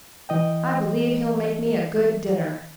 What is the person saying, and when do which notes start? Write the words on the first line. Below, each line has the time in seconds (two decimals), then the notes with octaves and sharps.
I believe he'll make me a good dinner.'
0.29 E3 D#5 G5